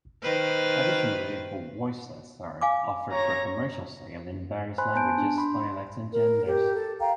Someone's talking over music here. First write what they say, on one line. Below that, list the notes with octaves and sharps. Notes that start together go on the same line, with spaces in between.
Additionally, voice sets are offered for commercial sale in various languages, dialects, and genders.
D#3 B4 C5
F5 G#5 D6
C#5 A#5 A#6
C5 G#5 B5 C6 F#6
B3 G#5 A5 G6 D7
D4
B5 C6
A#4
G4 A#4
A4
F5 G5 A#5